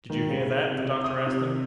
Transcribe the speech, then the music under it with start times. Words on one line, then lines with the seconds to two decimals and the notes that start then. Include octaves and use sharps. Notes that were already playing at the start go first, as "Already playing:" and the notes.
"Did you hear that?" the doctor asked them.
0.10 D#3
0.29 C#3
0.72 C3
1.04 D#6
1.27 C3